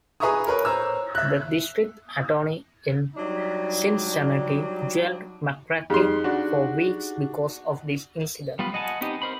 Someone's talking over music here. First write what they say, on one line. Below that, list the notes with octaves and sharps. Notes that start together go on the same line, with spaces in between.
The district attorney in Cincinnati jailed McCrackin for weeks because of this incident.
G#4 B4 E5 A#5 C#6 D#6
A#4 B4 C#5
C5 C#5 A#5 E6
E5 F#6
F#3 G3 D4 D#4
F2 D#4 G4 G#4 C6
D4 F#4
G3 B3 F4 B4
D#5 F#5 G#5 A5
B3 C4 D#4 G4 D#5
A#4 C5 B5